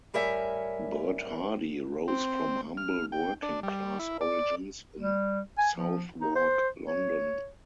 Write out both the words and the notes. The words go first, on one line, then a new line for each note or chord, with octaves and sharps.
Bert Hardy rose from humble working class origins in Southwark, London.
A2 G3 A#4 C#5 E5 G#5
C4
F6
G5
D4
G3
E4
D5
G3
G#5
F3
D#4
C5
C#5